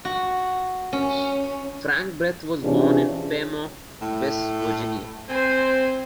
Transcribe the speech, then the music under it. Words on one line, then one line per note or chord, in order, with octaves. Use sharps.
Frank Breth was born in Fairmont, West Virginia.
F#4
C#4
C3 E3 C#4 D4 F4 G#4
A2
C4 C5 G#5